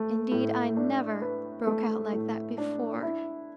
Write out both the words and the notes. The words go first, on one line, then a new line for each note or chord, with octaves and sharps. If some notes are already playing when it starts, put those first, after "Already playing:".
Indeed, I NEVER--broke out like that--before.
Already playing: A3
A2
D4
B4
A3
A2
D4
E4